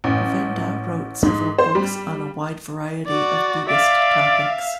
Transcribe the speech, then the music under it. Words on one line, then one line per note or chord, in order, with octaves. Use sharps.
Govinda wrote several books on a wide variety of Buddhist topics.
A1
G#2
C5
G3
F#4 D5
D5 E5 F5